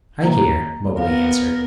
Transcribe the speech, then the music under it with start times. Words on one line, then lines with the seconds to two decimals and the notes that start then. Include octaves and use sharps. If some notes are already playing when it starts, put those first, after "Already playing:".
"I hear," Mowgli answered.
0.23 A#3 A#5
0.98 B3 A#4 F5